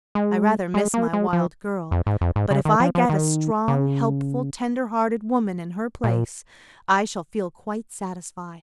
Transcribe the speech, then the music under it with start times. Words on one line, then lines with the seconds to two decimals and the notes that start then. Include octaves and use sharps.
I rather miss my wild girl, but if I get a strong, helpful, tenderhearted woman in her place, I shall feel quite satisfied.
0.15 G#3
0.74 G#3
0.94 A#3
1.13 G#3
1.33 F3
1.91 F2
2.06 G#2
2.21 F2
2.36 G#2
2.51 C#3
2.65 D#3
2.80 F3
2.95 F3
3.09 D#3
3.68 C#3
6.04 A#2